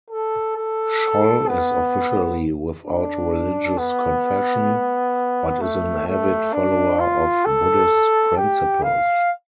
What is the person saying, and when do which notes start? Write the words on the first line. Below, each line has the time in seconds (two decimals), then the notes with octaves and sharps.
Scholl is officially without religious confession, but is an avid follower of Buddhist principles.
0.10 A4
0.56 A4
1.48 B3
2.86 D4
3.78 B3
5.61 A3
6.08 A3
6.53 D4
6.99 F4
7.45 A4
8.37 G4
8.83 F5